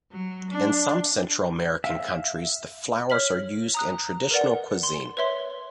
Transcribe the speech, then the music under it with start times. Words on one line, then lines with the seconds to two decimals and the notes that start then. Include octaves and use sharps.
In some Central American countries the flowers are used in traditional cuisine.
0.12 F#3
0.51 D4
1.84 E5 F5
3.10 C#5 F6 B6 F#7
3.74 A#5 D#6 F#6
4.31 A#4 B4 D5 F#5
4.83 C6
5.17 B4 C#5 E5 C6